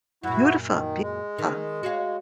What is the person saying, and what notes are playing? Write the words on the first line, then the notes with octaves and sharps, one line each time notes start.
Beautiful, beautiful.
F#2 A#2 E4 F#4
D#3
G#3
D#3
F#4 C#5 F5